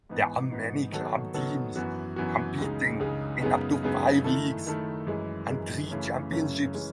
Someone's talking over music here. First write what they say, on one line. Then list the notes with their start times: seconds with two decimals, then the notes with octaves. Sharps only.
There are many club teams competing in up to five leagues and three championships.
0.09 G#2 E3 B3 D#4
0.51 G#2 E3 B3 D#4
0.92 D#3 F#3 B3 F#4 A4
1.34 D#3 F#3 B3 F#4 A4
1.76 F#2 E3 B3 F#4
2.16 F#2 E3 B3 F#4
2.58 C#2 C#3 G#3 D#4
2.99 C#2 C#3 G#3 D#4
3.41 F#2 C#3 G#3 B3 D#4
3.83 F#2 C#3 G#3 B3 D#4
4.24 D#3 A3 E4 A4
4.66 D#3 A3 E4 A4
5.07 F#2 E3 G#3
5.49 F#2 E3 G#3
5.90 F#2 C#3 E3 A3 C#4
6.32 F#2 C#3 E3 A3 C#4
6.74 E3 G#3 C#4